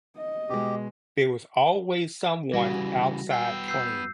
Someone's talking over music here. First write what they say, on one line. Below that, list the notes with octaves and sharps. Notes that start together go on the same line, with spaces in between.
there was always someone outside playing.
D#5
B2 G#3 G4
C#3 E3 G3 F#4 A#6
B3 G5 E6 C7
E6 G6 C7